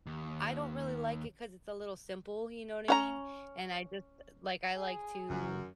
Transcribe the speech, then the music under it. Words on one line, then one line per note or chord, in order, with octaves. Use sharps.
I don't really like it 'cause it's a little simple, you know what I mean? And I just, like, I like to
D#2
C#4 F#5 A#5
G#4
F#1 F#2